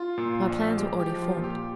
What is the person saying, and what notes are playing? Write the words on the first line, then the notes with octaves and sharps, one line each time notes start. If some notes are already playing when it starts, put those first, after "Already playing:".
My plans were already formed.
Already playing: F4
A#2
A#1
G#3 G4
G4
F3
F4
A#2
G4